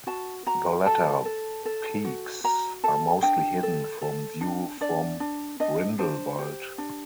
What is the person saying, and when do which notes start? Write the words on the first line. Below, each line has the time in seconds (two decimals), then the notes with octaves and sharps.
The latter peaks are mostly hidden from view from Grindelwald.
0.07 F#4 A5
0.46 F#4 A#5
0.86 A4 A5
1.25 A4
1.65 A4
2.05 F#4
2.44 F#4 A#5
2.84 A4 A5
3.22 D4 G5
3.63 A4
4.01 A4
4.41 D4
4.81 D4 D5
5.20 D4
5.60 D4 D#5
5.99 D4 C5
6.39 G4
6.78 D4